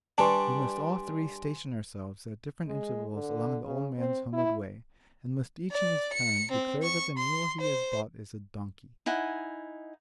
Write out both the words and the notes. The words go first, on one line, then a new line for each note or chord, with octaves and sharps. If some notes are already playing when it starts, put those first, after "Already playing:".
'We must all three station ourselves at different intervals along the old man's homeward way, and must each in his turn declare that the mule he has bought is a donkey.
G3 D4 G4 B4 G#5 A5 C6
G#3
D3
C#3
C4
E4
D5
C#7
C4
C#6
C6
C5
D#4 E4 F#5 G#5